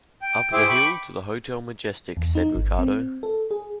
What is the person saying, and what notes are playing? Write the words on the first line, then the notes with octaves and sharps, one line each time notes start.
"Up the hill to the Hotel Majestic," said Ricardo.
G5
E4 G#4 C5 E5 G5 D6
G5 B5 C#6 D6
E2
D#4
G#1
C4
A4
G#4